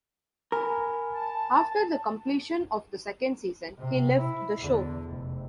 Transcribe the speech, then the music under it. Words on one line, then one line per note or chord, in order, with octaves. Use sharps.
After the completion of the second season, he left the show.
A#4 G#5 B5
A5
C3
E4
E2 D3
F1